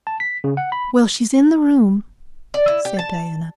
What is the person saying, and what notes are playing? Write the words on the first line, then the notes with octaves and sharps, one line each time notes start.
"Well, she's in the room," said Diana.
A5
B6
C#3
F#5
B5
D5
E4
G4
A5